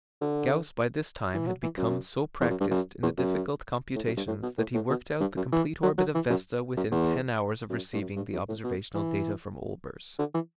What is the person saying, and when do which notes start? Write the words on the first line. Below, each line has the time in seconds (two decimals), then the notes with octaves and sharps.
Gauss by this time had become so practised in the difficult computations that he worked out the complete orbit of Vesta within ten hours of receiving the observational data from Olbers.
0.21 D3
1.34 E3
1.47 F#3
1.63 E3
1.77 F#2
2.41 E2
2.50 F#2
2.60 G2
2.71 F#2
3.03 E2
3.17 F#2
3.95 A2
4.06 F#2
4.17 G2
4.27 A2
4.43 B2
4.58 A2
4.74 A2
4.90 B2
5.20 G2
5.37 F#2
5.52 E3
5.83 F#3
5.98 F#3
6.15 E3
6.30 F#2
6.77 F#2
6.91 E2
7.70 F#2
7.93 G2
8.01 F#2
8.16 G2
8.33 F#2
8.48 A2
8.64 B2
8.95 E3
10.19 D3
10.35 E3